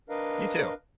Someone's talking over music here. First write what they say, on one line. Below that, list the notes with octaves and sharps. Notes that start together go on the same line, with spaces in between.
You too.
D4 A#4 B4 D#5 F5